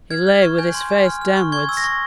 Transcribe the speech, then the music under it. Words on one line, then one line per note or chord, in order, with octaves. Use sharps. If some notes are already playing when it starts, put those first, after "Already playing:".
He lay with his face downwards.
F6 G#6
F6
C#6
G#5 G6
C6
G#5
F6
F6
C#6
C#6 G#6
E6
A#6
C#6